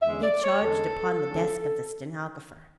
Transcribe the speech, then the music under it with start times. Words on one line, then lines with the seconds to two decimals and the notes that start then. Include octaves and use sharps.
He charged upon the desk of the stenographer.
0.02 E2 D3 G#3 C#4 E5
0.23 D5
0.44 C#5
0.63 E2 D3 G#3 C#4 A4
1.24 E2 D3 G#3 C#4